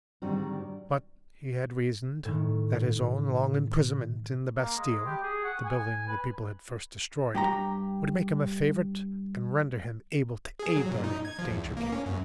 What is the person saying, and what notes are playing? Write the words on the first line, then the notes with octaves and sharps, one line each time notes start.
But he had reasoned that his own long imprisonment in the Bastille--the building the people had first destroyed--would make him a favorite, and render him able to aid Darnay if danger came.
G#2 D3 D#3 G3 C4 F#4
A2 D#3
A#3
G#3
G4
G#4
F#5
G#5
B4
G2 G4 A#5
G#4
F#3
A#2
D#4
G#6
F3
E2
B1
A#3
C#4
F#2